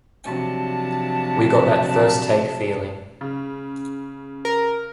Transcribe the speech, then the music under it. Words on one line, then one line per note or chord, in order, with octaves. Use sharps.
We got that first take feeling.
C3 F3 F#3 D4 A5
C#3
A#4